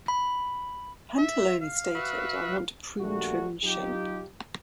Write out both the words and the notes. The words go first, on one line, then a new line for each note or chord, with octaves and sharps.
Pantalone stated I want to prune, trim and shape.
B5
E5
F5
F#4 B4 E5
A#1 A#2 G3 A3 F#4
F#3 D#4 F4 G4